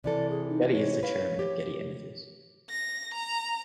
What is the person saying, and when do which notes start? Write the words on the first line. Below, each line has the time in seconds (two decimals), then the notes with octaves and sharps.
Getty is the chairman of Getty Images.
0.04 C3 E3 A4 D5
0.30 G#4
0.49 D#4
0.71 C#5
1.03 B4 C#5 F5
1.39 G4
2.70 A#6
3.14 A#5